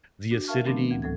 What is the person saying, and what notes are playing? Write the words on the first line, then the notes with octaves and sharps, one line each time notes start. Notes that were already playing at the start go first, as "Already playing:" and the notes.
the acidity
D4 F#4
A#4 E5 F5 A5 C#6 F6
D#3 F3 A3 B3 C4 D4
D2 E3
D2 A2 F#3 A4 G#6